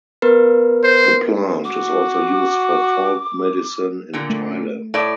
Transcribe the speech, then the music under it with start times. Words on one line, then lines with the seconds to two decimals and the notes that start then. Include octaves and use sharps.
The plant is also used for folk medicine in Thailand.
0.22 B3 A#4 B4
0.84 C5
1.64 F#4 D6
4.13 A#2 D3
4.30 A3
4.94 A2 E4 D5